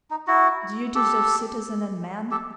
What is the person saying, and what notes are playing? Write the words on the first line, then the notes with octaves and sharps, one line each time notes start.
Duties of citizen and man?
D#4
E4 F#4
G4 A4
G4 A4